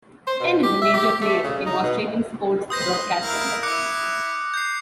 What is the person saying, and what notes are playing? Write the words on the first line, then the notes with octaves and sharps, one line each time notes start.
Ten is a major player in Australian sports broadcasting.
C5
B2
G4
E5
G4
A3
C#3
D#4
B2
B4 C5 C6 D#6 G6 A#6
E4 A#4 F5
E4 D6 F#6 C#7
G6 C7